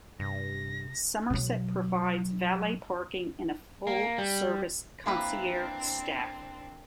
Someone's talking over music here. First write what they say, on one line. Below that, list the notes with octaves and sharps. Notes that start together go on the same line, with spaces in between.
Somerset provides valet parking and a full-service concierge staff.
G2 C3 A#6
B2 F#3
A#3
G3
A#3 C4 D4 E4 B4